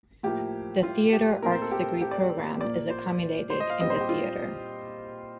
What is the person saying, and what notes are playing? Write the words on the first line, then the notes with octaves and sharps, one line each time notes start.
The Theatre Arts degree programme is accommodated in the theatre.
A2 F3 A#3 G4
F4
G4
A#2 A3 C4 A#4
C5
A4
G4
G4
D5
A#2 F3 A#3 D5
C5
C5
D#5
F5
A#2 G3 C4 D#5
C5
G4
F4